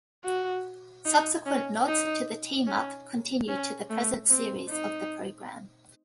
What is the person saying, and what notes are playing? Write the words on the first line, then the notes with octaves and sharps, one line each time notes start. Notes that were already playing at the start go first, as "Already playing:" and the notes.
Subsequent nods to the team-up continue to the present series of the programme.
F#4
D#4
C#4
D#4
C#4
C#4
A3
C4
D#4